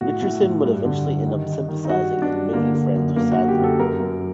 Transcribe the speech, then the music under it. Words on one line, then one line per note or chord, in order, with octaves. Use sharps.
Richardson would eventually end up sympathising and making friends with Sadler.
A2 F#4
A2
A2
G2
D3
G2
D#3
D#3
D#3
D#4
G2 F#4
G2
D4
G2
D3 A#3
D3
F#2
D3 A#3
D3 F#4
G4
F#2
A4
F#2 A#4
F#2